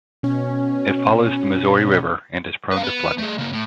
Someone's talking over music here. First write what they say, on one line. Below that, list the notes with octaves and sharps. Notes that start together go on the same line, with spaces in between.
It follows the Missouri River, and is prone to flooding.
B2 C#4
B4 F5
B3
A3 G#4
C#3 A#3
A2